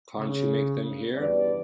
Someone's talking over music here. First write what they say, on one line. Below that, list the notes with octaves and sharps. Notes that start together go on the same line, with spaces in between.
Can't you make them hear?
C#3
E2 G2 G3 D5